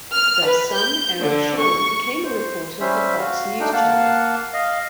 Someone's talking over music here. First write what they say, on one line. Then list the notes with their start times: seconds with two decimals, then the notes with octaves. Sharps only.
Their son, Eric Shawn, became a reporter for Fox News Channel.
0.13 F6
0.45 B4
0.75 G6
1.21 D3
1.61 C#6
2.24 C5
2.80 G3 C#4 C5 E5
3.18 F#4 F5
3.60 A3 D4 D#4 G5
3.73 A#3 F5 F#5 A5
4.53 D#5 F5